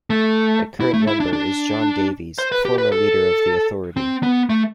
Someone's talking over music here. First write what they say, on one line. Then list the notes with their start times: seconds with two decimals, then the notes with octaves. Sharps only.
The current member is John Davies, former leader of the authority.
0.10 A3
0.80 E4
0.94 A3
1.07 E4
1.20 D4
1.33 D4
2.38 C5
2.52 B4
2.65 G4
2.78 B4
2.92 A4
3.97 C4
4.23 B3
4.49 A3